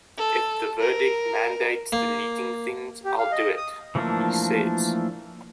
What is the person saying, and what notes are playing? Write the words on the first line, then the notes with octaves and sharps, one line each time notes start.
"If the verdict mandates deleting things, I'll do it," he says.
A4
A#4
A#3
G4
F5
D#5
D#6
E3 F3 A3 A#3 D4